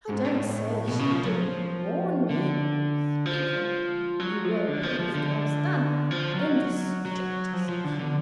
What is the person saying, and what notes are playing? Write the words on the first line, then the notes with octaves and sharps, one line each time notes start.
I don't say she didn't warn me--speaking, you will please to understand, in the strictest confidence.
G#2
A2
B2
C#3
F3
F#3
F3
D3
F3
F#3
F3
D3
F3
F3
D3
F3
F#3
F#3
F3
F3
D3
D3